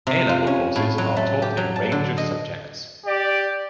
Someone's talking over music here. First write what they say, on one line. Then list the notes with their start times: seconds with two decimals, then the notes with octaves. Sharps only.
A-level courses are taught in a range of subjects.
0.07 C3
0.29 F4
0.47 C#4
0.76 A2
0.98 F#3
1.16 A3
1.42 G4
1.57 F#3
1.76 A5
1.92 D3
2.17 D#5
3.06 G4 D5